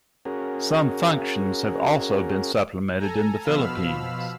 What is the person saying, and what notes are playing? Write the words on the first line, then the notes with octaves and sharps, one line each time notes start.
Some functions have also been supplemented in The Philippines.
C#4 F#4 G#4 A#4
A4 G#5 A#5
B2 F3 F5 B5 E6 F6